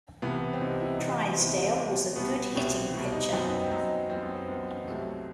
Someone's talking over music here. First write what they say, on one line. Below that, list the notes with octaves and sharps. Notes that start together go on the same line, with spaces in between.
Drysdale was a good hitting pitcher.
C2 C3 E3 B3
C4
C2 C3 E3 D#4
E4
D#4
C2 C3 E3 C4
C4
C2 C3 E3 B3
D#4
C4
C2 B2 G3
C2 B2 G3 B3
C2 B2 G3 C4
C2 B2 G3
D#4
F#2 F#3 B3 C4
D#4
C4
F#2 F#3 B3 D#4
F#2 F#3 B3 C4
B3
C4
F#2 F#3 B3
C2 C3 F#3 A3